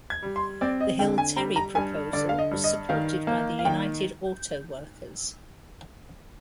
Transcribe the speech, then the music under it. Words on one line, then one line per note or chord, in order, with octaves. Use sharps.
The Hill-Terry proposal was supported by the United Auto Workers.
G#6
G3
C6
C4 D5
D#5
D3 G5
G#5
G3 A#5
A#5
G2 G#5
D3 D5
F5
D#5
G2
D#5
D#3 F5
A#3
F5
D#3 G5